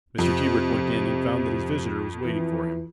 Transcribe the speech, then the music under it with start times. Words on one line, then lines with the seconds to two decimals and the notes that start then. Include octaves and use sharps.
Mr. Tebrick went in and found that his visitor was waiting for him.
0.18 F2 C3
2.25 E3